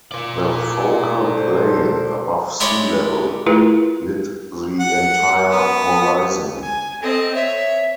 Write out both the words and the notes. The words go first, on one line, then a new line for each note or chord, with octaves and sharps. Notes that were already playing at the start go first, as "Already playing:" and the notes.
The focal plane, above sea level, lit the entire horizon.
A#4 D5
A4 C5
G#3 D4 E4 G4 C#5
A3 E4 F4 G#4 A#4 B4
F#5
B3
G#5
C4 A4 D#5
C#5 E5